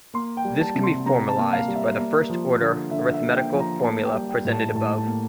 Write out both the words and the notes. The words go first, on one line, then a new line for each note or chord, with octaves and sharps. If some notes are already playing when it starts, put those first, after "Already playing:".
This can be formalized by the first-order arithmetical formula presented above.
A#3 C6
G5
G3
A5
C3
C6
C3 A#5
A5
A#3
F5
G3
E5
A#3
F3
D3
D3 E5
E5
A#3
G5
F3
A#5
A#3 A5
G5
G3
G5
A2
A5
A2 A5
A5
A#3